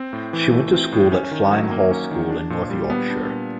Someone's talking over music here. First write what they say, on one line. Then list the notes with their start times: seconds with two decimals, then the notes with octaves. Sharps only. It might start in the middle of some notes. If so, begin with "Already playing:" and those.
She went to school at Fyling Hall School in North Yorkshire.
Already playing: C4
0.13 A2
0.33 E3
0.53 A3
0.72 C4
0.92 A2
1.12 C#4
1.31 D#3
1.52 F#3
1.71 A#3
1.91 C#4
2.11 D#3
2.30 D4
2.50 A#2
2.70 G3
2.90 B3
3.10 D4
3.30 A#2